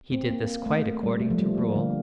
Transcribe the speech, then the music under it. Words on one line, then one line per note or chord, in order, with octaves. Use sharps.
He did this quite according to rule.
C4
A#3
A3
G3
A3
F3
G3
A#3
D3